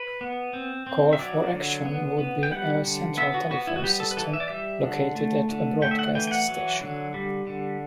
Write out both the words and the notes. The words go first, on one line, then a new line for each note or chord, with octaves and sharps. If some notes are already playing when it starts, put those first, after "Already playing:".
Call For Action would be a central telephone system located at a broadcast station.
Already playing: B4
B3
C4
C4
E5
F#3 D5
D3
B3
B3
G5
G3 F#5
D3
B3 E5
F#4
B3 F#4
E4
F#4
G3 G4
A4
B4
E3 A4
E5
D5
G3 E5
D3
A3
D3
A3 G5
E5
F#5
E3 G5
G5
F#5
F#3
D3
G3
D3